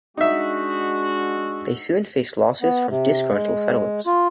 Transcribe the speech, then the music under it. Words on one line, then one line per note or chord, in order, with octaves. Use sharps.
They soon faced lawsuits from disgruntled settlers.
G#3 D4 D#4 F#4 E5
B3
C3
G#3
F4